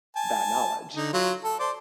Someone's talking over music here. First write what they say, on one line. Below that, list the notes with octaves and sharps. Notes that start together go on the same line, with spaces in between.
that knowledge.
G#5 A5
D3 D#4
F#3 F4
A4
C5 D5